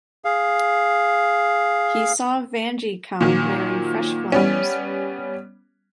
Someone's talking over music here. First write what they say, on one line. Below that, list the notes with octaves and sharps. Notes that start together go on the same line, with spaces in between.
He saw Vanji come wearing fresh flowers.
G#4 F5
A#2 D#3 F3 F#3
G3 B3 C#4